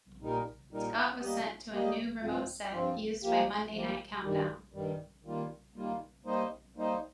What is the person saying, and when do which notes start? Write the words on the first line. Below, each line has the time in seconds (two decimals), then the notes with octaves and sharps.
Scott was sent to a new remote set used by "Monday Night Countdown".
0.21 A#2 G3 D#4 A#4
0.71 A#2 G3 D#4 A#4
1.22 G3 A#3 G4 D#5
1.72 G3 A#3 G4 D#5
2.22 G2 F3 C4 F4
2.72 G2 F3 C4 F4
3.23 F3 A#3 G4
3.73 F3 A#3 G4
4.24 G2 D#3 G3
4.74 G2 D#3 G3
5.25 D#3 G3 A#3 F4
5.76 D#3 G3 A#3 F4
6.25 G3 A#3 D#4 C5 D#5
6.76 G3 A#3 D#4 C5 D#5